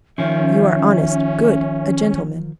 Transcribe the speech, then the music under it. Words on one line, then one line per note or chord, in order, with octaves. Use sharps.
You are honest, good, a gentleman.
D#3 F3 C#4 E5